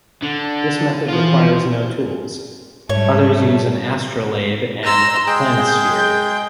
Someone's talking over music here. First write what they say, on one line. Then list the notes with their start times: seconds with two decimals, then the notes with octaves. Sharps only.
This method requires no tools; others use an astrolabe and a planisphere.
0.23 D3
1.09 E3 F4 C5
2.89 G#2 G3 A3 C#5
4.83 A#5 C6 E6
5.27 G#3 G#4 G5 G6